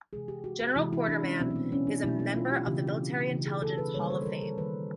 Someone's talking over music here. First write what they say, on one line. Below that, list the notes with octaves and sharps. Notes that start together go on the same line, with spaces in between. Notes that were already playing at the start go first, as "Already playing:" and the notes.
General Corderman is a member of the Military Intelligence Hall of Fame.
C3 E3 G#3 G#4
G4
F#4
F#4
C3 E3 G#3 E4
E4
D4
C#4
B2 F#3 A3 C4
C4
B3
C#4
D4
B2 F#3 A3 E4
E4
F4
G4
C#3 E3 A3 G4
C#3 E3 A3 D#4
G#4
A4
B4
D#3 G3 A#3 C#5
C5
A4
A#4
A4
D#3 G3 A#3 B4